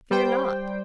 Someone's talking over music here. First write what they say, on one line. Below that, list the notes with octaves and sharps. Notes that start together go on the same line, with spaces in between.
"Fear not!"
G3 C5 G5